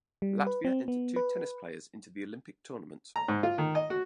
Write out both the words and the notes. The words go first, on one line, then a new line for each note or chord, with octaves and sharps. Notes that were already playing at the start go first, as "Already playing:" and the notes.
Latvia entered two tennis players into the Olympic tournament.
G3
B4
C4
B3
B4
A#5
G#2
F4
D#3
D#5
F#4